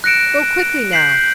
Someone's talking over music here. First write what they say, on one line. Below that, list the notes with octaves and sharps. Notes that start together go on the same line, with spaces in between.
Go quickly now!
F#6 A#6 C#7 D7 E7
G6 B6 C7 F#7